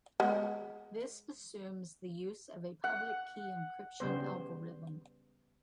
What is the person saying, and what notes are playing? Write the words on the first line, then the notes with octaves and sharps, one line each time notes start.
This assumes the use of a public-key encryption algorithm.
G#3 B3
F#5
C#3 G3 B3 C5